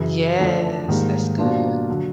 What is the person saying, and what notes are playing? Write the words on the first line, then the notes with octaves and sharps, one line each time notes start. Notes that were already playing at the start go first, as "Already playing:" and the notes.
Yes, that's good.
Already playing: F#2 C#3 E3
D3 F3 A3 D4
G#2 D#3 G3 A#3
B2 G3 A#3 D4 F4
D3 F#3